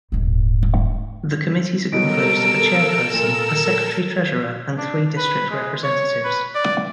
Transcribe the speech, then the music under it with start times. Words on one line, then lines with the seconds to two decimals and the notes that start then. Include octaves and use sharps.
The committees are composed of a chairperson, a secretary-treasurer, and three district representatives.
0.12 D#1 G#2
1.92 B2 F#3 G3 A4 A#4 E6 D7
3.14 A#2 E7
4.78 D4
5.17 B4
5.50 G#3
5.84 C#5
6.24 B4
6.55 D5